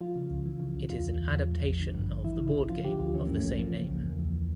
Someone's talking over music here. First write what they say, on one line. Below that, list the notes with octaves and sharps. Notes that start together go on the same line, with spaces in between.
It is an adaptation of the board game of the same name.
F3 F4
C#3
C#2
E3
C#3
C#2
E2 F4
E3
E2
F3
A2
A1
D3
G2
A1
E3 E4
C#3
E4
C#2
F3 F4
D3 G4
D2 F4
E3 C#4
G2 A#3
A3
A1
F3 A#3
C#3
C#2
E2
E3